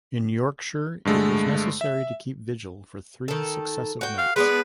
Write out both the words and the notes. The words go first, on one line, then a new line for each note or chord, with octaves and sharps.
In Yorkshire it was necessary to keep vigil for three successive nights.
G2 D3 G#3 A3
E5
D#3 A4
F#4 G5
F5
G#3 B3 D4 B4